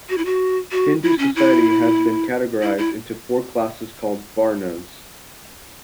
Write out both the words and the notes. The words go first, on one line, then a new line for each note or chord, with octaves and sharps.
Hindu society has been categorised into four classes, called "varnas".
F#4
E4
F#4
F#4
E4
C#4
E4
E4
E4